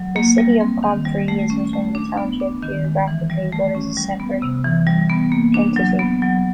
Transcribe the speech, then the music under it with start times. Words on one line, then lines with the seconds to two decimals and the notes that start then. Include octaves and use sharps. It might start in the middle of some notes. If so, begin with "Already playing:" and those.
The city of Comfrey is within the township geographically but is a separate entity.
Already playing: F#3
0.16 A#3
0.38 G3
0.61 C4
0.83 D#3
1.06 G3
1.28 A3
1.50 C#4
1.73 A3
1.95 D4
2.17 B3
2.40 D4
2.63 D#3
2.85 G#3
3.08 E3
3.30 G3
3.52 A3
3.75 C#4
3.97 G3
4.20 B3
4.42 C3
4.64 E3
4.87 G3
5.09 B3
5.32 A#3
5.54 D4
5.76 F#3
5.99 B3
6.22 F#3